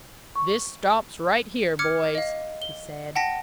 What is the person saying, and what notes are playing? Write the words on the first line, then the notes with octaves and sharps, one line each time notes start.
"This stops right here, boys," he said.
C#6
D6 F6 G#6 C#7
D#5 F5
G7
F#5 G5 A5 A#6 B6